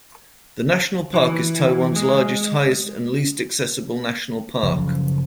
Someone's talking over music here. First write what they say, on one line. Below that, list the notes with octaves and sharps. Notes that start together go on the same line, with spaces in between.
The national park is Taiwan's largest, highest and least accessible national park.
E3
G#3
F#1 C#3 F3